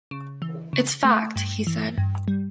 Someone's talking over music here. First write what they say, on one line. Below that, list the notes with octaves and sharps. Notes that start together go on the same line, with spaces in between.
"It's fact," he said.
C#3
E3
C#3
A3
G2
E3
G2
G3